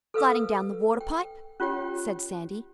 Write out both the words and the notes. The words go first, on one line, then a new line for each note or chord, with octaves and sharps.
"Sliding down the water pipe," said Sandy.
A4 B4 F5 E6
G5
C#4 F4 G4 C#5 G5